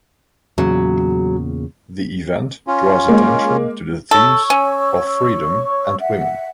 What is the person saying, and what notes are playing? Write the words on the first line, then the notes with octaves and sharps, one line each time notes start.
The event draws attention to the themes of freedom and women.
E2 A#2 C#3 F#3
C#4 F4
G#3 A#3
A4 C#5 C#6 E6
C#4
E5 F#5